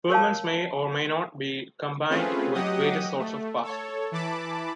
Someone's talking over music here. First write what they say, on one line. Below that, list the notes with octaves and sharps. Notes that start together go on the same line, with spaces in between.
Firmans may or may not be combined with various sorts of passports.
A#4 C#5 F5 A5
A3 C4 C#4 F4 G#4 B4
F#3 G4 D#5 F#5 D#6
A3
A4 C#5
E3 A5 B5 D6